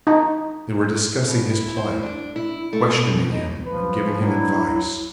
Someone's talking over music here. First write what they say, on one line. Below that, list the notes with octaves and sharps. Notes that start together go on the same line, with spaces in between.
They were discussing his plight, questioning him and giving him advice.
D#4
B2
E4
C5
A2
D4
E4
A3
B2
D#4
F3 B4
F#3 D4 E4